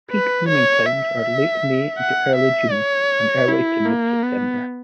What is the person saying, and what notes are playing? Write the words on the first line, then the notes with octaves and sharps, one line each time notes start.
Peak blooming times are late May into early June, and early to mid-September.
B4
C#5
E5
F#5
E5
C#5
E4
A#3
B3